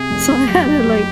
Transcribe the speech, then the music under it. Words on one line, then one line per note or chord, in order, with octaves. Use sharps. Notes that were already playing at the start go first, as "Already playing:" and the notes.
so I had to, like
Already playing: C3 G#4
F1
F1
F#1 G4
F#1
F#1